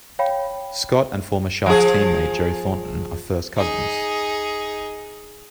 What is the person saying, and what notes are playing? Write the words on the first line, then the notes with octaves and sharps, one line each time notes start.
Scott and former Sharks teammate Joe Thornton are first cousins.
C#5 F5 G5 B5
F3 G#4
D#4 G#4